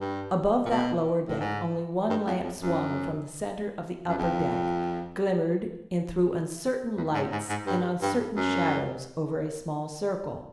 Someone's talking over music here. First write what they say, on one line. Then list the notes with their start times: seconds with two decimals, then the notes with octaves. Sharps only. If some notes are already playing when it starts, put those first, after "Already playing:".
Above that lower deck only one lamp, swung from the centre of the upper deck, glimmered and threw uncertain lights and uncertain shadows over a small circle.
0.01 G2
0.66 A#2
0.70 B2
1.28 A2
1.40 G#2
2.09 G2
2.27 F2
2.44 F2
2.62 F#2
4.08 F#2
4.18 F2
6.97 E2
7.14 G#2
7.32 G#2
7.49 G#2
7.67 G2
8.02 G2
8.36 F#2